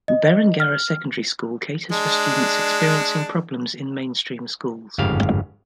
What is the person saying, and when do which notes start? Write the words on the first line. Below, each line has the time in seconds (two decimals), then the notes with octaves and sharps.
Berengarra Secondary School caters for students experiencing problems in mainstream schools.
0.08 D#5
0.60 F6
1.92 G#3 D4
4.98 G1 F2 G#2 C#3 G4 F5